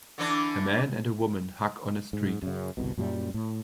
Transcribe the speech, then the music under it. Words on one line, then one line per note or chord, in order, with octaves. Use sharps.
A man and a woman hug on a street.
D3 E3 D4
G#2
F#2 C#3
G1 C2 B2
F#2 A#2 F#3 G3
A2